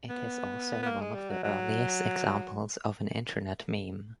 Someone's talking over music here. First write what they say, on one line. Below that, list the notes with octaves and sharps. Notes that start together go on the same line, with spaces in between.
It is also one of the earliest examples of an Internet meme.
B3
B3
A#3
G#3
G3
F#3
F#3